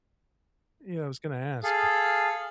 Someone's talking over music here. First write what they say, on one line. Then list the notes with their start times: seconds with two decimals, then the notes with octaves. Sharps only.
Yeah, I was gonna ask.
1.64 G#4 A4 F5